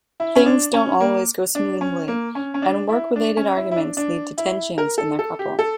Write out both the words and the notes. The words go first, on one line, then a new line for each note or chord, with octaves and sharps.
Things don't always go smoothly and work-related arguments lead to tensions in their couple.
E4
C#4
D4
C#4
A#3
D4
C#4
A#3
C#4
C#4
D4
E4
D4
C#4
E4
E4
D4
D4
E4
A#4
A4
A4
G4
A4